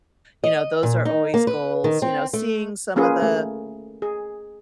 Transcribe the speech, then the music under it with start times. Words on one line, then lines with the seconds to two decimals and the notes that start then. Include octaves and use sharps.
you know, those are always goals, you know, seeing some of the
0.44 D#5
0.83 A#2
1.05 D#4
1.34 A#3
1.47 B4
1.84 D#3
2.02 C4
2.33 A3
2.96 A#3 C#4 F4 G#4 B4
3.22 A3
4.02 G#4